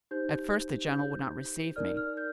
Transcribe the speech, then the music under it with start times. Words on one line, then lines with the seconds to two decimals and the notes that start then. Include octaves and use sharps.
"At first the general would not receive me."
0.11 D#4 G4 C5 G6
0.93 G6
1.76 D#4 A#4 D5 F6
1.97 F6
2.17 G6